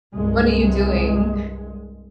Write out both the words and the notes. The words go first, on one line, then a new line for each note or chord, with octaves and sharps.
What are you doing
C2 G2 G#3